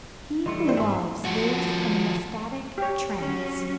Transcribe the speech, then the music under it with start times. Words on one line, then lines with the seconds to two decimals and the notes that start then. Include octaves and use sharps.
He who loves lives in an ecstatic trance.
0.46 E3 G3 A3 D#5 C6
0.65 D4 E4 C5
0.77 G#2 G#4 E5 C6
1.25 F3 F#4
2.78 G4 C#5
3.20 F#3 C#4